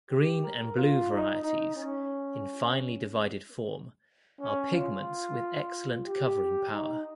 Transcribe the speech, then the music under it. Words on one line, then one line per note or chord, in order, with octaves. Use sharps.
Green and blue varieties, in finely divided form, are pigments with excellent covering power.
G4
A#4
F4
D#4
D#4
C#4
C#4
F4
G4
D#4